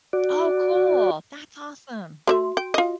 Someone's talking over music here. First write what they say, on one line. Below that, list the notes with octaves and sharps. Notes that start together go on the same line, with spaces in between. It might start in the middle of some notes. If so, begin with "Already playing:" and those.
Oh, cool! That's awesome.
F#4 D5
A3 F#4 D5 E5 C6
G5
F4 D#5